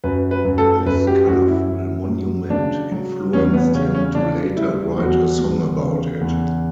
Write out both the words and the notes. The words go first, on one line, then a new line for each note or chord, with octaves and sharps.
This colorful monument influenced him to later write a song about it.
F#2 B4
B4
F#2
A4
F#2 B4
G4
F#2 F#4
E4
F#2
F#3
C#3 D4
F#3
E2 C#4
B3
C#3 C#4
C#4
C#3 D4
G3 E4
E2 F#4
E2
C#3
E2